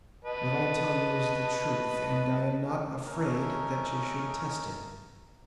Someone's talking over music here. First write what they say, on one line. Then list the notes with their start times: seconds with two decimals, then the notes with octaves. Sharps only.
What I tell you is the truth, and I am not afraid that you should test it.
0.25 B4 D#5 A5
3.06 A3 C#4 D#4 A#4